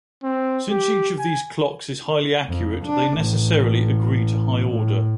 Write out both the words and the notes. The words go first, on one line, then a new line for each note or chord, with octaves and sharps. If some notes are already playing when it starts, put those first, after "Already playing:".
Since each of these clocks is highly accurate, they necessarily agree to high order.
C4
G4
G#5
F2
D4
A1
A2